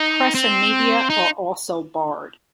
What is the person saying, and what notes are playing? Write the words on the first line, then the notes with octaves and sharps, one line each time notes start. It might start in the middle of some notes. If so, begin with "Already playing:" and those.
Press and media are also barred.
Already playing: D#4
C4
D#4